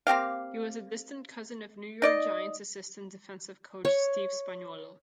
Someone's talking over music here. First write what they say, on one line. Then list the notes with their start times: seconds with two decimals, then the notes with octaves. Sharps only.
He was the distant cousin of New York Giants assistant defensive coach Steve Spagnuolo.
0.07 A#3 C4 G4 F5
2.02 D#4 D5 D#5
3.85 C#5